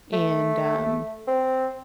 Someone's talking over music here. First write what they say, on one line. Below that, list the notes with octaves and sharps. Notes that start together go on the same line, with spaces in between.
and, um
A3
C4